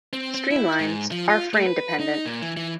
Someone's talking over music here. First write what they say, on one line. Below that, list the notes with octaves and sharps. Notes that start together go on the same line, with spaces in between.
Streamlines are frame-dependent.
C4
C4
E4
G#2
F3
F4
A3
B4
D#4
A#2
E3
E3